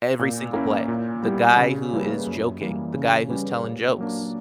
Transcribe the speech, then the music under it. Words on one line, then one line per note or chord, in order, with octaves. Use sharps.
every single play. The guy who is joking, the guy who's telling jokes.
A#2
A#3 C#4 E4
A#2
G3 B3 E4 G4
C#3
G3 A#3 E4 B4
F#2
E3 G3 A#3
C#3
G3 C#4 G4 B4
A#2
F#3 A#3 D4